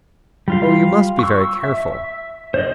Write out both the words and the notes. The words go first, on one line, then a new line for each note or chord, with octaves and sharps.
'Oh! you must be very careful.
G3 F4 F5
C#6 E6
E5
C5 D5 D#5